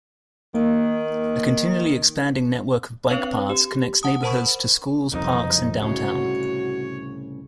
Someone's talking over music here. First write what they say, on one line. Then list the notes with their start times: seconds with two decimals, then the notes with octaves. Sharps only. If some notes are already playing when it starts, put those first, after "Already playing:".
A continually expanding network of bike paths connects neighborhoods to schools, parks and downtown.
0.55 D#3 A#3
3.09 C4 D4 B4 C#5 F5
3.50 G4
4.03 F#5 A5 D#6
4.23 A#4 C5 A5 B5 C#6
5.12 F#1 C2 F2 D#4
5.81 C2 A2 C#3 F#4 C#5